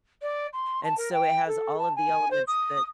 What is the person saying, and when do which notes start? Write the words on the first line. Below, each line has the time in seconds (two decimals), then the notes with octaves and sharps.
and so it has all of the elements that
0.22 D5
0.53 C6
0.84 A5
0.97 A#4
1.13 G5
1.47 A4
1.78 A5
1.96 G#5
2.30 C5
2.47 D#6